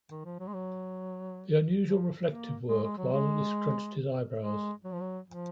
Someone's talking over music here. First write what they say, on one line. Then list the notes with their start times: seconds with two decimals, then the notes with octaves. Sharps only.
The unusual reflective work violently scrunched his eyebrows.
0.11 D#3
0.25 F3
0.40 F#3
0.48 G#3
0.54 F#3
1.83 F3
2.26 A#3
2.69 G#3
2.83 G#3
2.98 F#3
3.13 G#3
4.42 G#3
4.84 F#3
4.93 F3
5.01 F#3
5.28 F3